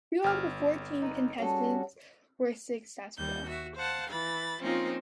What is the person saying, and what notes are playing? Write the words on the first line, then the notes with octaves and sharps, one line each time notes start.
Two of fourteen contestants were successful.
G1 F6
D#4 B4
G3 C#4 F#4 G#4 A4
D#2 G3 G6
F#4 E5
C5 F5 F#5 A5
E3 B5 A6
F3 A#3 C4 C#4 D#4 F4